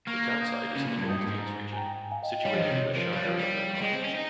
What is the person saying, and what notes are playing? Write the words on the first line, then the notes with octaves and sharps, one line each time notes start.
The townsite is in the goldfields region, situated in the Shire of Yilgarn.
A#3 C#6 F6
F6 G#6
D#6 G6
C#3
A#2
G2
G#6
G2 D#6 G6
G2
G#2
G#5
G5 A#5
F5 G#5
D#5 G5
D#5 G5
G3 C#5 F5
F3 C5 D#5
D#3
C#5
C3
C#5
C5
F3 A#4
G3 C#5 F5
F3
G3
G3
G#3 D#5 G5
C4
C#4
D#4